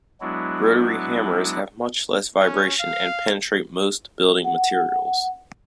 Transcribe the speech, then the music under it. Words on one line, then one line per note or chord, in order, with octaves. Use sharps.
Rotary hammers have much less vibration and penetrate most building materials.
F#3 G#3 B3 D4 E4 F#4
C#4
F5
F#5